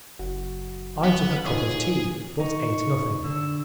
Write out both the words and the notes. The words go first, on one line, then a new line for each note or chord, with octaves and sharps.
I took a cup of tea, but ate nothing.
F#1 F#4
B3
D#4 F4 G#4 C#5
D#4 C#6
D3 E6